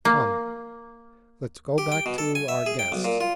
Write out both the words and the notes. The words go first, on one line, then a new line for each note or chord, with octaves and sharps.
Come, let 's go back to our guests.
A#3
G4
G5
B2
A4
G#5
E5
G#4
G5
B1
A#2
F4